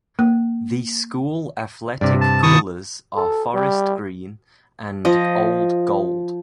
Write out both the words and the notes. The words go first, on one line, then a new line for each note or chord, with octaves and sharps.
The school athletic colors are forest green and old gold.
A#3
G2 C3 D5
A5
D#3 E4 A5 C#6 D#6
A4
G3
F3 D#5